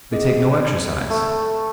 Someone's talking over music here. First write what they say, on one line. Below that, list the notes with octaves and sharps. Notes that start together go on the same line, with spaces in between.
They take no exercise.
C4 G#4 D#5
B4 G5 G#5
A3